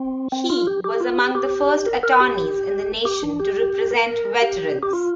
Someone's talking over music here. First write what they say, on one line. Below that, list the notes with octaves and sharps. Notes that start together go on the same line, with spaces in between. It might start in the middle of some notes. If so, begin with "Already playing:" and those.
He was among the first attorneys in the nation to represent veterans.
Already playing: C4
C4
F4
G4
G4
F4
G4
G4
A#4
A#4
G4
G4
D4
G4
A#4
G4
G4
F4